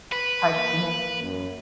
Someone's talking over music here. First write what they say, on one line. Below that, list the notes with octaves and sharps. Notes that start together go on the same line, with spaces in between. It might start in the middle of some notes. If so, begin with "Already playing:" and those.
Partridge Family.
B4
A#3
F#2